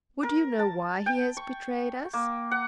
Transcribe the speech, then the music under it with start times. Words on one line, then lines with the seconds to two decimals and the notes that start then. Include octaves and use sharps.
Would you know why he has betrayed us?
0.23 A#4
0.59 A5
1.06 G5
1.37 C#6
2.13 A#3
2.51 F#5